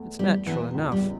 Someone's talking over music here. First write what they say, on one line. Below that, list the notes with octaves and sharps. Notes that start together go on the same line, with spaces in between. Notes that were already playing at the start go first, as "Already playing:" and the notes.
It's natural enough.
Already playing: E2 A3
E2 G3
E2 E3
C#2
G3
C#3